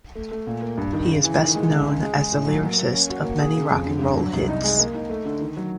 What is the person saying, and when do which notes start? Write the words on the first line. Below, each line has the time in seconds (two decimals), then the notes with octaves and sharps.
He is best known as the lyricist of many rock and roll hits.
0.15 A3
0.31 A3
0.47 A#2
0.62 A#3
0.78 G2
0.93 D#3
1.09 C#3
1.24 E3
1.40 D#3
1.55 G#3
1.70 C#2
1.85 C#2
2.01 G#3
2.16 G#3
2.32 A2
2.47 F#3
2.63 A#3
2.78 A#3
2.94 C#4
3.10 F#4
3.24 A#3
3.40 G#4
3.56 C#3
3.71 F2
3.87 D3
4.02 G2
4.17 F#3
4.33 C2
4.49 D#4
4.63 G#3
4.80 A#3
4.94 D#4
5.10 A3
5.25 D3
5.41 D#3
5.57 F#3